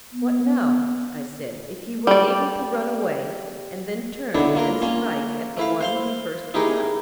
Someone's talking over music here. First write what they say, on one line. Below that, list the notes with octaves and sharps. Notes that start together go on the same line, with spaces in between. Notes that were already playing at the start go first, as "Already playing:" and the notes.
What, now, I said, if he were able to run away and then turn and strike at the one who first came up?
B3
G3 D5
B1 D3 D4 E4 F#5
A#3 F4 A#4
A#3 C#4 F4
A3 E4 F5
C5 F5 C6
D#4 E4 G4 G#4 A#4